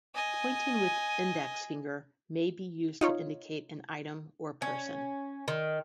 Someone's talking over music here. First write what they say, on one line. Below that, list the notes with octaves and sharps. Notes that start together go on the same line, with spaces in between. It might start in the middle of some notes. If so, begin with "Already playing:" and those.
Pointing with index finger may be used to indicate an item or person.
D#5 G#5
D#4 F4 C#5
C#4
D#3